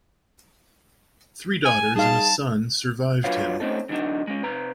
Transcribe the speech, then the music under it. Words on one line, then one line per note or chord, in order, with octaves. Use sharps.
Three daughters and a son survived him.
G#5
G3 D#4 G#4 F5 A5
D3 F#3 F4 B4 C#5 F5
A3 C4 C#4 D#4 A4
D3 F#3 G3 D4 D#4
G#3 C#4
C3 B4 A#5